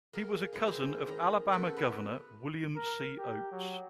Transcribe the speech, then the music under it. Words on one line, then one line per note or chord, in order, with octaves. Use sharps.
He was a cousin of Alabama governor William C. Oates.
A#3 G#4 A#4
F#3 G#3 B3 D#4 G#4
C4 E4 G#4 C5
D#3 A#5
C#3 F#4 A4 B4 C5
B3 B4 E5
A#4
G4
F#3